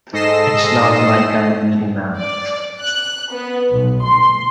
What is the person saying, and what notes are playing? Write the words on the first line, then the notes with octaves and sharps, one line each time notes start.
It's not like I beat him out.
G#2 A4 D#5 A#6 C7 E7
D5
F#6
B3
B1
C6